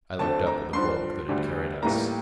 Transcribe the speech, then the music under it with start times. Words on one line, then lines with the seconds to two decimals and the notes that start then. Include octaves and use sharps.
I looked up at the bulk that had carried us.
0.19 D2 D3 A3 C4 A5
0.47 A#5
0.73 G2 D3 F3 C6
1.28 D2 D3 G3
1.83 A1 A2 G3 A#3 A#5